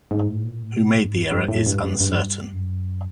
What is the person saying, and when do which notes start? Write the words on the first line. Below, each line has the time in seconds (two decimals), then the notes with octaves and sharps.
Who made the error is uncertain.
0.11 G#2
0.27 A2
0.45 A#2
0.63 A2
0.79 B2
0.97 G#2
1.15 G2
1.32 G2
1.48 A2
1.66 G2
1.84 G2
2.01 G2
2.09 F#2
2.17 G2
2.53 F#2